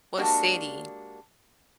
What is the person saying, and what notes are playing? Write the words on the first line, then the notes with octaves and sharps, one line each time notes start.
What city?
G#3 A#3 D4 F#4 G4